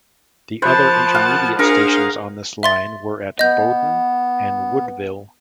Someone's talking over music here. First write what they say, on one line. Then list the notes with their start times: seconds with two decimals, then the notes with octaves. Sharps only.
The other intermediate stations on this line were at Bowden and Woodville.
0.62 F3 C5 A5 B5 F#6 A6
1.14 F5 F#5
1.59 D4 G#4 A#4 F5 A#5 C6 C#7
2.63 E5 C6 A6
3.39 B3 D#5 G6